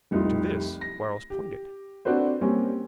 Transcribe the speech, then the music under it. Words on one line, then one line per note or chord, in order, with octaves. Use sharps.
To this Quarles pointed.
F1 C2 G3 D#4 F4
A#6
G4
C4 D4 F#4 A4 B4 C5
G3 A#3 C4 C#4 G4